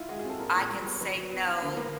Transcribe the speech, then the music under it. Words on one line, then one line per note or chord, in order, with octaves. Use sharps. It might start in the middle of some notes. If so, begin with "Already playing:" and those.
I can say, "No."
Already playing: D#3 E4 F4
G#3 F#4
G#4
C4
A4
A#2 A#4
A#2
G3
B3
F#3 B4
F#3
B3
E4
D2 A#4
A#3 B4